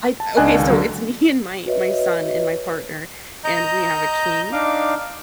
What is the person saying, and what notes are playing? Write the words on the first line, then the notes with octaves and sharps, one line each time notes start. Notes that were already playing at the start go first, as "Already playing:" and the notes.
I've okay, so it's me and my my son and my partner, and we have a king,
A5
C#2 D4 D#5 G#5 F#6
C#2 D#3
D3 F#3
F#4 B4 C#5 D#5 E5
D#5 A#5 G6
D4 D#4 F5 D6